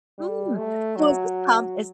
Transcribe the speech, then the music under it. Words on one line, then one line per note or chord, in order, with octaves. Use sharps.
Mm! So is this com is
G3
A3
F#3